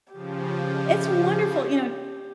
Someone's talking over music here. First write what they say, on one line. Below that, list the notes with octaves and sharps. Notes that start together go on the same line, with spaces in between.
It's wonderful, you know,
C#3 F3 G4